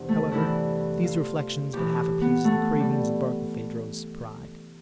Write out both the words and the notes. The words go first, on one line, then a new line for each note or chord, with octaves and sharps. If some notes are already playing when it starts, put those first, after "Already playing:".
However, these reflections but half appeased the cravings of Barkilphedro's pride.
Already playing: E2 C3 D4
A3
G2 E3 E4
F4
A2 E3 G4
B3
A3
G3